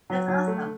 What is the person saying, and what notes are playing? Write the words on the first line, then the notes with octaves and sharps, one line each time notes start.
That's awesome,
F#3
F#3
A3